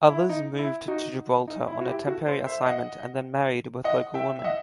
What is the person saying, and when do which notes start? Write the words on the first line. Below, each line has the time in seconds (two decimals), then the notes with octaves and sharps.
Others moved to Gibraltar on a temporary assignment and then married with local women.
0.09 E4
0.29 D#4
0.59 E4
0.88 D#4 F#4
1.48 D#4
1.68 E4
1.81 F#4
1.87 E4 G4
2.07 F#4 A4
2.26 A4 C5
2.46 C5 E5
2.66 D#5 F#5
3.84 D#5 F#5
4.14 E5 G5
4.39 E5
4.44 D#5 F#5